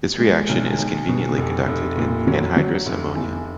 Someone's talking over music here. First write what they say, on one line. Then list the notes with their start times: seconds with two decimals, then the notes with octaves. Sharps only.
This reaction is conveniently conducted in anhydrous ammonia.
0.19 G#3
0.49 B1
0.78 B1
1.08 B2
1.38 F1
1.67 F1
1.97 A#2
2.27 F#3
2.57 F#3
2.86 F1
3.16 E2